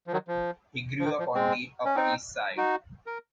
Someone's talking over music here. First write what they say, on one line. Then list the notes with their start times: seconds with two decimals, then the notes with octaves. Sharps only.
He grew up on the Upper East Side.
0.07 F3
0.12 D#3 F#3
0.28 F3
1.00 F3
1.05 D#3
1.19 F3
1.35 G#3 C4
1.85 C#4
1.96 C4 D#4
2.57 D#4 F#4
3.07 A#4